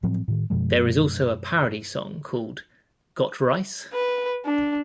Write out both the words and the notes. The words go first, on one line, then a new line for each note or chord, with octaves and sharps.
There is also a parody song called Got Rice?
A2 F3 F#3 C4
A2 D#3
F#2 B2 F3 G#3
B4
D4